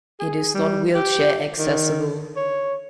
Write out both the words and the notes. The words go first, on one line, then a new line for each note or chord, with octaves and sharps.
It is not wheelchair-accessible.
G#4
G3
G4
D#3
C#5